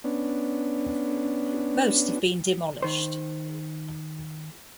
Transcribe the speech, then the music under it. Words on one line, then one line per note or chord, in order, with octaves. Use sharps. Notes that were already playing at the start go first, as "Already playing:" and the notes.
Most have been demolished.
B3 C#4 D4
D#3 C5